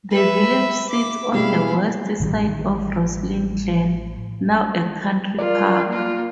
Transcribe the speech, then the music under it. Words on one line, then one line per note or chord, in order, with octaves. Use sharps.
The village sits on the west side of Roslin Glen, now a country park.
B4 E5
D6
B2 G3 G#3 E4 F5
A1 D#3 F3 G3
F4 A#4 D5
A#3 F4